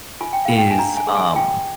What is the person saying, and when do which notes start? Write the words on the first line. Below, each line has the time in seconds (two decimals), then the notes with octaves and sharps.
is, um,
0.21 F4 G#5
0.33 G5
0.45 F4 F5
0.58 G5
0.71 G#5
0.78 D4 A#5
0.97 G#5
1.07 G#4
1.17 G#5
1.36 F4 G5